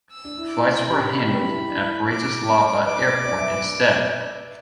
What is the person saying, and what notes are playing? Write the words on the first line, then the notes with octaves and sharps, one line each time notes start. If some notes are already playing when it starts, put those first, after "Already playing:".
Flights were handled at Bratislava Airport instead.
E6
D4
E4
D6
E4
G4 B5
G4
E4
D4
E4
D6
B4 D6
D5
B4
D5
E5
B4